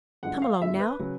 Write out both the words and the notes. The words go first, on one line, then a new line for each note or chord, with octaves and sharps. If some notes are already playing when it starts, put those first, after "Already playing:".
Come along, now.
G1 F#2 D3 F3 G#3 F#5
F5
G1 F#2 D3 F3 G#3 E5
B4
C#3 F#3